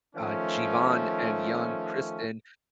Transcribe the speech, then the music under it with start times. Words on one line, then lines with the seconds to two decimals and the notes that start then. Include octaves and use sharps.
uh, Jeevan, and young Kristen
0.16 D#3 F3 A3 C#4